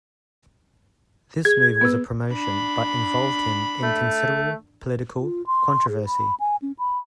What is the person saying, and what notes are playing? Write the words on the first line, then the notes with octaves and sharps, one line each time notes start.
This move was a promotion but involved him in considerable political controversy.
G#4 G#6
B3 B4 E6
D4 B5
A3
F4
C6
G#4
B5
G#5
C#4
B5